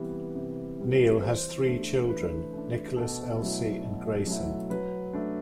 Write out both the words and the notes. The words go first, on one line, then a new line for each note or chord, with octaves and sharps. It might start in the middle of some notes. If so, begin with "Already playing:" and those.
Neil has three children, Nicholas, Elsie and Graysen.
Already playing: C3 E3 G3 B3
C3
E3 G3 B3
E3 C5
A3 D4
E3 B4
A3 D4
B2 A4
F#3 A3 E4
B2
F#3 A3 E4
F#3 B4
A3 D4